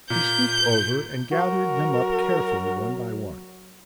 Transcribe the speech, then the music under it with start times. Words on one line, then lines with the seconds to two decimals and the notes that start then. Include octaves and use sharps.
He stooped over and gathered them up carefully one by one.
0.10 A#2 G6
1.32 F#3 F#4 A#4